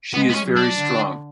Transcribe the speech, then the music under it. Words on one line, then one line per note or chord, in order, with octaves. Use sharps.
She is very strong.
G#3 B3
B3
C#4
F#3
D4
D3